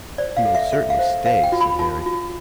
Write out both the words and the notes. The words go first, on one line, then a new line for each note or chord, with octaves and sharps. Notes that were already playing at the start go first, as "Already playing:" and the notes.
"He will certainly stay," said Harry.
C5 D5
F5
A4
E5
A4 E5
F5
C5
C5 F5
G5
F4
B5
F4 A5
F4